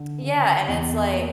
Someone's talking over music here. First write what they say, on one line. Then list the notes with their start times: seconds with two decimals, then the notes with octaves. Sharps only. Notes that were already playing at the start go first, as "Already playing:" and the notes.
Yeah, and it's like
Already playing: D3
0.21 C#3
0.68 E2
1.13 A#3